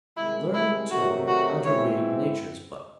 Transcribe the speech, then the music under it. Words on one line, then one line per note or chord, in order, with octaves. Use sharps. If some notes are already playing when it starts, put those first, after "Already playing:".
Learn, too, how to read Nature's book.
C2 C3 D#3 G#3 E4
E4
C3 D#3 F#3 A3 F#4
F#4
G#2 E3 C4 E4 C#5